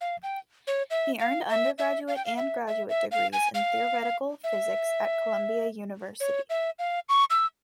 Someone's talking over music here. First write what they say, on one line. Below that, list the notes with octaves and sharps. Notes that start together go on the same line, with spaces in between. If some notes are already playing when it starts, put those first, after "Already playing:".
He earned undergraduate and graduate degrees in theoretical physics at Columbia University.
F5
G5
C#5
E5
F5
E5
E5
F5
G5
F5
E5
E5
E5
F5
G#5
F5
E5
C#5
E5
F5
C#6
E6